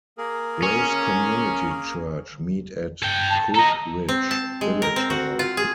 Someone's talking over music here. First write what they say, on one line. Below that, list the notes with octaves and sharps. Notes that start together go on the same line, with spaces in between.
Grace Community Church meet at Cookridge Village Hall.
A#3 G#4 A#4
C#4
A4 G5
A5
A4 D#5 A#5
C4
A5
G#3
A#4
C4
F#4
F4
G#4